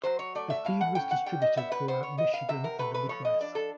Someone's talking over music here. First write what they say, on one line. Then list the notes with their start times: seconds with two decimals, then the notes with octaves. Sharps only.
The feed was distributed throughout Michigan and the Midwest.
0.03 F#3 C5
0.19 C#5
0.35 A3 D5
0.50 E5
0.65 A2 F5
0.81 F#5
0.95 C#4 G5
1.11 F#5
1.26 G3 G5
1.42 D#5
1.56 B3 E5
1.72 B4
1.88 B3 C5
2.03 C#5
2.18 B3 D#5
2.34 F5
2.48 C3 E5
2.64 A#4
2.79 A3 B4
2.94 B4
3.09 F3 C#5
3.25 D#5
3.41 D4 D5
3.55 A4